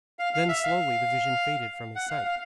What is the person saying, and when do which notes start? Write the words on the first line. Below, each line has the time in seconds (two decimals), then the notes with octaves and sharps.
Then slowly the vision faded from his sight.
0.19 F5
0.34 F5
0.49 E5
0.63 F5
1.96 F#5
2.10 F5
2.25 F5